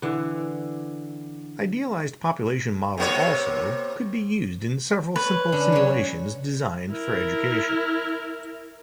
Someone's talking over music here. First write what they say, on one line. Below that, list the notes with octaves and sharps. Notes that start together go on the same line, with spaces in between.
Idealised population model also, could be used in several simple simulations designed for education.
D3 E3
C3 A#3 C#5
B4 C#5
D3 C#4 D4
F#3 C#5
E4 A#4